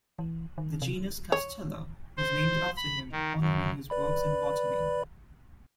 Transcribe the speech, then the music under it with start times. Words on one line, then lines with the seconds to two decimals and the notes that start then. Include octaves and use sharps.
The genus "Castela" was named after him, honoring his works in botany.
0.19 E3
0.58 D#3
0.82 C3
1.32 C#5
2.17 C5
2.77 B5
3.12 D#3
3.41 F#2
3.90 B4 D5 B5